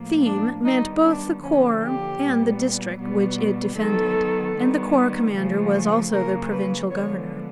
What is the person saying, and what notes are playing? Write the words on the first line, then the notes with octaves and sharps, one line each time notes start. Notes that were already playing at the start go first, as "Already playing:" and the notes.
"Theme" meant both the corps and the district which it defended, and the corps-commander was also the provincial governor.
Already playing: A2 F3 A#3
D4
D#3 G3 B3 D#4
D4
D3 F3 A#3 C#4
G4
A#2 G3 B3
B2 G3 B3
D#3 F#3 B3 A4
D#3 G3 B3
C#3 F3 A3
C#3 F#3 A#3 A#4
B4
D3 F3 G#3 B3 C#5